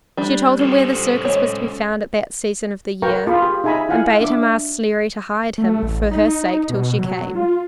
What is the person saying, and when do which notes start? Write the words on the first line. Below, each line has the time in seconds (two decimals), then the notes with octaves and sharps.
She told him where the circus was to be found at that season of the year, and bade him ask Sleary to hide him for her sake till she came.
0.17 G3 D4
0.60 C#4 A4 C5
1.25 G#3 C#5
3.02 A#4 B4 F5 G5 A#5 C#6
3.27 F4 G#4 B5
3.43 G4
3.64 D#4 G#4 E5 G#5 A#5 B5
3.89 E4 F4 F5 F#5 G#5
4.21 D4 E5 D6
5.58 A3
5.83 A1
6.11 D#4
6.69 B2
6.99 F#3
7.35 F4